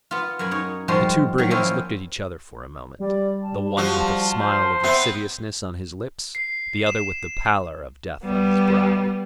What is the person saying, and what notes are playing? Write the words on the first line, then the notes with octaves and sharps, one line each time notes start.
The two brigands looked at each other for a moment--the one with a smile of lasciviousness on his lips, the other with the pallor of death on his brow.
B3 F4
F#2 A#4 G#5 B5
D#4 C#5
G#2 F3 G3 G#3 F#4 C6
D#3 F#3
F3 A#3 C#4 E4 F4 G5
G3 D5
A5
F3 F#4
C5
B3 C4 E5
C7
E7
G3 B3